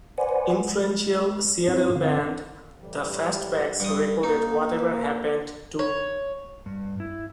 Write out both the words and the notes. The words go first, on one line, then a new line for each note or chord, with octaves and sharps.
Influential Seattle band The Fastbacks recorded Whatever Happened To...?
B4 C5 D5 F#5 G#5
G#3
G2 C4 E4
D3 C4 F5
A2 E3 G3
G2 D#6
A#3 D#4
C#5
G2
E4